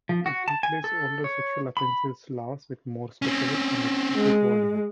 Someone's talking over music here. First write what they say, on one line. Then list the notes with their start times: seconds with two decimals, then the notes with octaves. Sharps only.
It replaced older sexual offences laws with more specific and explicit wording.
0.09 F3
0.26 F#4
0.48 A5
0.63 G#5
0.84 A4
1.24 C#5
1.77 B5
3.22 C4 C#4
4.16 G#3